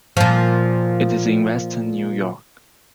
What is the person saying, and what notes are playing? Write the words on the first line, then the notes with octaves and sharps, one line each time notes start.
It is in Western New York.
A#2 F3